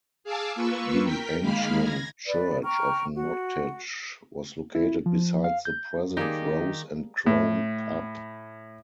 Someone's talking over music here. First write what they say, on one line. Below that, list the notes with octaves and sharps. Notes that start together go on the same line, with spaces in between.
The ancient church of Nottage was located beside the present Rose and Crown pub.
G#4 F5 G#5 A5 D6 E6
A#3 F4 B4 C#6 E6
A#4 G5 B6
D#3 G#3 A#3 F5 B5 F6
G#6 A#6
B4 D5
G5 A#5 C#6 F6
F#4
E4
F3
F5
G6
D#3 G3 A#3 D#4 G4 G#4
A2